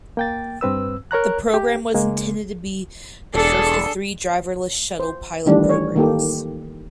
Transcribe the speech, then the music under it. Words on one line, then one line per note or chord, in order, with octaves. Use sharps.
The program was intended to be the first of three driverless shuttle pilot programs.
A#3 G5 A6
G2 C4 B4 E6
A#4 C#5 A#5 F#6
G4
C#3 G#3 A#3
E1 D4 G#4 A4
C5
D#3 E3 G3 A3 D4
C#5
D#3 A#3 G4 A4